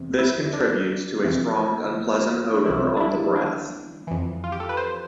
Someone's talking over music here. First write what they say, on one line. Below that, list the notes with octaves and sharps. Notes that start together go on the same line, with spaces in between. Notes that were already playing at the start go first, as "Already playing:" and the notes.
This contributes to a strong unpleasant odour on the breath.
Already playing: E2 C3
E4
D4
F2 C3 E3
D4
C2 C3 E3 E4
D4
E4
D4
F2 E3
F4
G4
A4
B4
C5